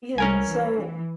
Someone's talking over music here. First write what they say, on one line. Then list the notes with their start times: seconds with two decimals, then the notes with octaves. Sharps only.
Yeah. So,
0.18 C2 C#4 A#4 G#5
0.51 E3